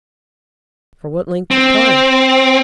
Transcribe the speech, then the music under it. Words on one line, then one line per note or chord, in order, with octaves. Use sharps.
"For what length of time?"
C4